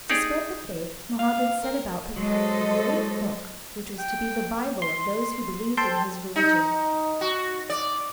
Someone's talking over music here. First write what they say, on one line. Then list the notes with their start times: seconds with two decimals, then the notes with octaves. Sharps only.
To spread the faith Mohammed set about preparing a great book which was to be the bible of those who believed in his religion.
0.10 D#4 G4 G#4 D5
1.19 F5
1.63 A#4
2.16 F#3 G#3 A4 C5 D#5
3.99 G5
4.82 C6
5.77 A4 C5 G5 A5 C6 G6
6.36 D#4
7.21 F#4
7.70 D5